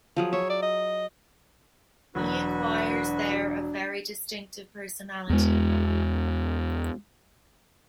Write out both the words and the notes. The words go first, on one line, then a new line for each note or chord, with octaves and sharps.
He acquires there a very distinctive personality.
F3 F#3 G#4
C#5 E5
D5
D#5
E1 F#3 D4 F#4 B4
E2 G#3